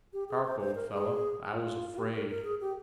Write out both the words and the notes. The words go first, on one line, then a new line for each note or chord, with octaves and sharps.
"Park, old fellow, I was afraid."
G4
G#4
C5
C5
A#4
G#4
F4
F4
G4
A#4
A#4
G#4
G4